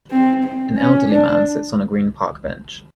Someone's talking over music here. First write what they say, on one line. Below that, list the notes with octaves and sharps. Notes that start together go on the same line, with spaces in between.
An elderly man sits on a green park bench.
C4
C4
C#4
D4